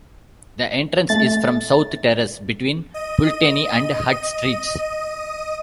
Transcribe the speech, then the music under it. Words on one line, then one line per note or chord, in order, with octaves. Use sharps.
The entrance is from South Terrace, between Pulteney and Hutt Streets.
A3 A6
D#5 D#7